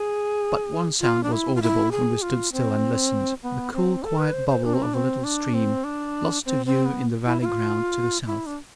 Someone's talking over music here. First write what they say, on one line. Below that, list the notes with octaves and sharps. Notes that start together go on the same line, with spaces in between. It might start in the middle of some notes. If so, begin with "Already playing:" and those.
But one sound was audible, when we stood still and listened--the cool quiet bubble of a little stream, lost to view in the valley-ground to the south.
Already playing: G#4
F4
D4
E4
F4
E4
G#4
F4
C4
B3
C4
A4
B4
C5
C5
D4
C4
D4
C4
D4
C4
D4
C4
C4
B3
E4
E4
F4
E4
D4